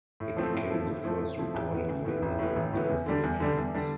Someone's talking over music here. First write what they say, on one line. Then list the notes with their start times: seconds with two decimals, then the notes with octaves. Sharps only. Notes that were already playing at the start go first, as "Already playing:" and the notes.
It became the first recording label in the Philippines.
0.20 A2
0.37 F3 A3 C4 E4
0.54 A2
0.70 F3 A3 C4 E4
0.87 A2
1.04 F3 A3 C4 E4
1.21 A2
1.38 F3 A3 C4 E4
1.54 A1
1.71 A2 E3 B3
1.88 A1
2.05 A2 E3 B3
2.22 A1
2.39 A2 E3 B3
2.56 A1
2.73 A2 E3 B3
2.90 E2
3.06 D3 G3 D4
3.24 E2
3.40 D3 G3 D4
3.57 E2
3.74 D3 G3 D4